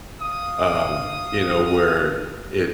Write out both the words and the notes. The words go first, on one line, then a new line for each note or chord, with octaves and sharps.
um, you know, where it
F5 D#6